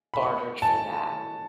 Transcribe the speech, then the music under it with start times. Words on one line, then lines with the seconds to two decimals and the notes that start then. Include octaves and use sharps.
bartered for that.
0.14 B5
0.23 C#6
0.62 A5